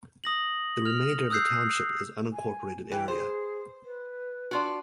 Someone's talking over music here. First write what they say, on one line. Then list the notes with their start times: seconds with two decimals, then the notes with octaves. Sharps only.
The remainder of the township is unincorporated area.
0.24 D#6 A#6 F#7
0.85 F6 F7
1.30 D#6 E6 F#6 G6 C7
2.32 G#5
2.92 E3 G5
3.08 G#4 C5
3.85 B4
4.51 D4 F4 F#4